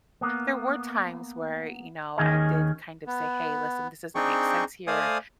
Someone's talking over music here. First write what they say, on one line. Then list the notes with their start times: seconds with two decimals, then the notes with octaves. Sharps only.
there were times where, you know, I did kind of say, "Hey, listen, this doesn't make sense here.
0.21 A#3 B3
2.18 D#2 B2 D#3 C#4 G#4 D#5
3.07 B3
4.15 C4 D4 D#4 G#4 G5 C#6
4.87 A3 C5 D5 F5 G#5 D#6